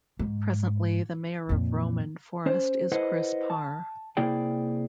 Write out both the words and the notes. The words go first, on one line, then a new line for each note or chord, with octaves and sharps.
Presently, the mayor of Roman Forest is Chris Parr.
G#2
F2 A#2
C#4 C5
E4 A4 B4 C5 D#5 F#5
A5
C3 A#3 E4 G#4 D5 G5